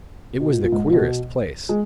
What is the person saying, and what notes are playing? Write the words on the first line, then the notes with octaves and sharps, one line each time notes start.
It was the queerest place!
B2
A#2
A#2
G#2
A#2
B2
G#3